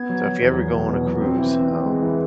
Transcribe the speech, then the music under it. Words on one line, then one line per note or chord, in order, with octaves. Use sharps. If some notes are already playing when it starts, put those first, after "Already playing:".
So, if you ever go on a cruise, um,
Already playing: B3 G#6
F#3
F#3
E2
F#3
B2
B2
F#3
C4
E3
C4
C4
G#3
E3